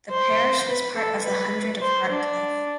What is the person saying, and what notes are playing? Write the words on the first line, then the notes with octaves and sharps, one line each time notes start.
The parish was part of the hundred of Hartcliffe.
C5
B4
A4
B4
C5
D4